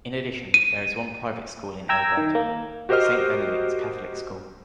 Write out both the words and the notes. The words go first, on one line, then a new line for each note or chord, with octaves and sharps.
In addition, there is one private school in Elberta; Saint Benedict's Catholic School.
D#7
G5 A#5 E6 G#6
D#3
A#3
F#4 G4 A#4 C5 D#5 F6